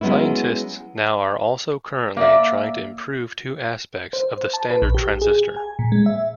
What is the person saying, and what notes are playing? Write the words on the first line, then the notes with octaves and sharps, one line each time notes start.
Scientists now are also currently trying to improve two aspects of the standard transistor.
F#3 G#3 B3 C#4 E4
A#3 D5 E5
C5
A5
B4
A#1
G4
G#4
G#5
A#2
G#3
E5